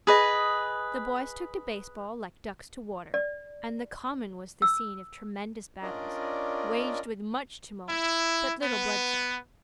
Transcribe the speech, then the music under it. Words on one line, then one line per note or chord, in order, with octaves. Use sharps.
The boys took to base-ball like ducks to water, and the common was the scene of tremendous battles, waged with much tumult, but little bloodshed.
G#4 B4 D#5
D5
E6
C#4 D4 F4 A#4 D5 D#5
E4
B3